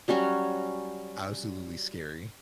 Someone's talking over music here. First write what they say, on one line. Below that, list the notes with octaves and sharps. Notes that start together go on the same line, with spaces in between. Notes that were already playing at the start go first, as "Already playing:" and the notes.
absolutely scary.
F#3 G3 C#4 F#4